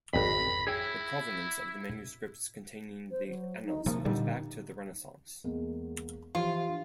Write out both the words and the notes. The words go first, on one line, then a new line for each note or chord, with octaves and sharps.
The provenance of the manuscripts containing the "Annals" goes back to the Renaissance.
G#1 F2 B5
E4 G#4 C#5 G5
C5
F#3
D#4
C3 F3 A#3
A#2 D3 G3 D#4
E2 G#3 A#3
E3 F3 F4 G4
D4